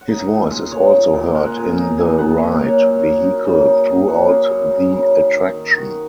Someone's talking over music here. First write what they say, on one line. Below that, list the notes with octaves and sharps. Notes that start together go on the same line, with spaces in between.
His voice is also heard in the ride vehicle throughout the attraction.
F#5
D#4 D#5
A#2
G#3
A#2 C#5
A#2
A#2
G#3 A#4
F#5
A#2 G#5
G#5
D#4 A#5
A#2 G#5
A#2 F#5
F#5
A#2 D#5
A#3 C#5
F#2
A#3
D#4
C#3
D#4
D#4 G#4
C#3 F#4
A#3 G#4
F#2
D#4
C#3
D#3
D#3
D#3
D#3 F#4